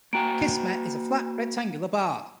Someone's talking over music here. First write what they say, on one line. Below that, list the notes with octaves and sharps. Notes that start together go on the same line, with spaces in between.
Kismet is a flat, rectangular bar.
A#3 F#4 G5 G#5 A#5 D7